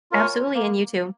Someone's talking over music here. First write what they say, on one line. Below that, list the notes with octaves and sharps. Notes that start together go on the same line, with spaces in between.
Absolutely. And you too.
F4 A#4 C#5 G#5
A#3